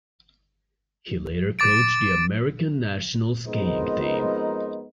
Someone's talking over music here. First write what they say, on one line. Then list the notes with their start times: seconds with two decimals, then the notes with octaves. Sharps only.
He later coached the American national skiing team.
1.59 D6 A6 D7
3.46 F2 G#3 B3 D#4 A#4 C5